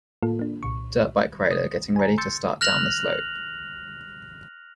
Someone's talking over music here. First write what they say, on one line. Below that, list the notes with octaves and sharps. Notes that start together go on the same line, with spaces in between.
Dirt bike rider getting ready to start down the slope.
A2 A#3 F4 A4
A#3 D4
C2 A#2 C#6
D#6
G#5 A#5
C6 E6 G6 A6 C#7
F6 F#6 A#6 F7 F#7